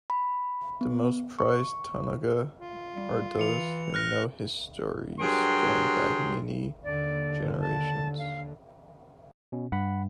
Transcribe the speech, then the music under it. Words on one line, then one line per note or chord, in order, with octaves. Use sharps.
The most prized taonga are those with known histories going back many generations.
B5
B3
C#6
F4
G3
E3 C#7 F7
F6 F#6 A#6
G2 F#3 G#4 A#4 G5 C6
D#2 D3 D5
A5
F5
B2 C#4
G2 F#5 B5